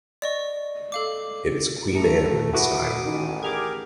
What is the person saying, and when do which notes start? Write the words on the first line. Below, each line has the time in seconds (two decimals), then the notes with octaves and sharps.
It is Queen Anne in style.
0.22 D5 D#5 C#6
0.92 A4 F5 D6
1.95 A3 A#5 C#7
2.53 E4 F#4 B4 F#5 D6 D#6 F#6
3.05 A1 D#3
3.43 G4 G#4 A#4 D6 F6 G#6